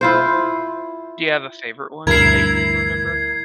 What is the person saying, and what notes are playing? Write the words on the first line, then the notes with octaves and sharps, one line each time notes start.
Do you have a favorite one that you can remember?
E4 F4 C5
D2 G2 E4 A#4 G#6 C7